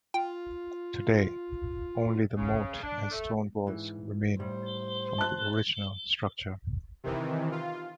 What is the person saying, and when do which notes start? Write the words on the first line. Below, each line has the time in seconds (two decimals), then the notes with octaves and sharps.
Today, only the moat and stone walls remain from the original structure.
0.14 F4 G5
2.36 C#3
2.83 D4
3.11 A3
3.67 G#2 E3
4.40 A2 G3 C5
5.18 A5 F#6
7.04 C3 D#3 E3
7.52 F4